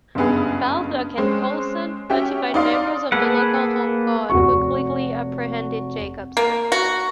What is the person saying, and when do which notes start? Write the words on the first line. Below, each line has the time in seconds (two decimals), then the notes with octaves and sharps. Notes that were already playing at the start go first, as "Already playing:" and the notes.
Baldock and Coulson notified members of the local Home Guard who quickly apprehended Jakobs.
0.15 F#1 G2 B3 G#4
1.18 G#3 C4 C#4
2.10 C#4 F#4 G4 E5 G5
2.54 D#4 D5 F5 C6
3.12 A#3 G#4 A4 B4 F#5
4.30 F1 F#4 C#6
6.37 A#3
6.72 F#4